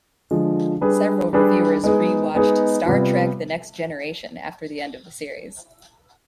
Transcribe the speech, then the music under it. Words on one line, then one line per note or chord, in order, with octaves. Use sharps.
Several reviewers re-watched "Star Trek: The Next Generation" after the end of the series.
D3 F3 G#3
G3 D4 G#4 B4
G3 D4 G#4 B4
G#3 B3 D#4 G#4
G#3 B3 D#4 G#4
C3 G3 B3 F4